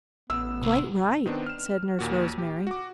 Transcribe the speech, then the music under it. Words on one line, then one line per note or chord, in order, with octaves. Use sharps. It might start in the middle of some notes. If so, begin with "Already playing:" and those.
"Quite right," said Nurse Rosemary.
A1 B3 E6
C2
D#3 B3 C4 D4
F6 E7
D#2 A#2 F#4
G4
F#4 D6